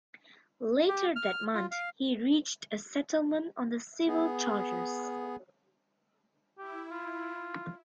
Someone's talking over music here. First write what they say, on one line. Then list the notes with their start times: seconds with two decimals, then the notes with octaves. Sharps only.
Later that month he reached a settlement on the civil charges.
0.88 G4
1.16 F6
1.54 F4
1.71 F5
4.07 B3 G#4
6.58 E4 G4
6.91 F4